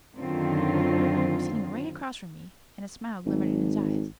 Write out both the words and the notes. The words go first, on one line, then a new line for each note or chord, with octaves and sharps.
He was sitting right across from me and a smile glimmered in his eyes.
F#2 D3 D#3 F#3 C4 F4
G#1